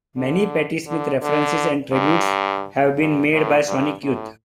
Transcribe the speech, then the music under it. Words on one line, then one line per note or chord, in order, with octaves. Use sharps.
Many Patti Smith references and tributes have been made by Sonic Youth.
D3
D3
D3
G2
G2
A2
G2
A2